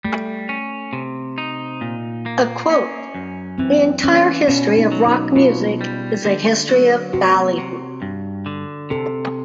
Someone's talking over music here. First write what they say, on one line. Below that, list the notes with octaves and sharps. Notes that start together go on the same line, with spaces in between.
A quote: The entire history of rock music is a history of ballyhoo.
G3 A3
C#4
C3
D#4
A#2
A#3
C#4
F#2
E3 C4
E3 C#4
B2 C#4
D#4
F#3
D#4
B2 F4
G3
D3
F#3
C3 F#4
C3
G2
D3
C3 A4